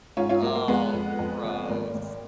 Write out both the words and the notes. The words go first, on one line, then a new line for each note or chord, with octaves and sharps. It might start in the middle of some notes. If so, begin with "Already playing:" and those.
Oh, gross.
G#2 C#4 F4
C#4 F4
F#3 A#3
A#3
F2 G#3 B3
F2
F2
F#1
G#1 A#3
G#1